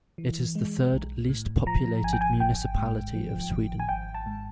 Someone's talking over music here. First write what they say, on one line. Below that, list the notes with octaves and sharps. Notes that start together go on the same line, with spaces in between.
It is the third least populated municipality of Sweden.
E3
G#3
B1
A2
F3 A#5
G#1 G#5
G5
G#5
G#1 G5
G#2
F3
G#1
G#5
G#1 G5
A5
G#2